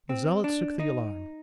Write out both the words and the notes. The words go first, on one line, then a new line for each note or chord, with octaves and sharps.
The zealots took the alarm.
C4
D4
D#4